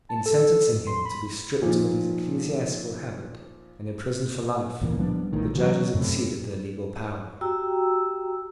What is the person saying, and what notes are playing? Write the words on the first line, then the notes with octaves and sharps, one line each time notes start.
In sentencing him to be stripped of his ecclesiastical habit and imprisoned for life, the judges exceeded their legal power.
A5
A4
A2
C6
B5
A#2 F3 D#4
C#2 A#2 E3 A#3
F3 G3 B3 D4
A#1 A2 D#3
C#3 E3 F#3
F#2 A2 C3
F#4 G4 G5 A#5 E6